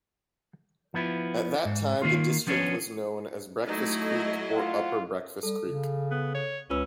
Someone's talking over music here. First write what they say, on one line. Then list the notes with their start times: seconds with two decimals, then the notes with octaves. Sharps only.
At that time the district was known as Breakfast Creek or Upper Breakfast Creek.
0.94 F3 B3 E4
1.65 G#2
2.02 D#3 A#3 F4
2.47 F3 B3 C#4 D4 C#5
3.67 F#3 A3 D#4 E4 D#5
4.55 F4 F#5
5.43 G3 A4
5.63 C#3
6.11 B3
6.35 C#5
6.70 C#2 C#4 F4 B4 E6